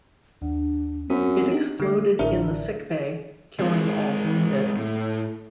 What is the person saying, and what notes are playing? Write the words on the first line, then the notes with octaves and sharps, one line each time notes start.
It exploded in the sick bay, killing all wounded.
D#2 D4
F#2 B3 C4
D4 D#4 G4
D3 A3
A1 D3 D4 E4 A#4
G#3 C4
A2